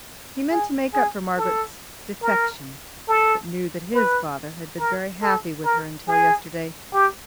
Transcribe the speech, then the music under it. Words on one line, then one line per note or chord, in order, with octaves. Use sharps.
He meant to make up for Margaret's defection, but knew that his father had been very happy with her until yesterday.
G#4
G#4
A4
A#4
A4
B4
A#4
A4
A#4
G#4
G4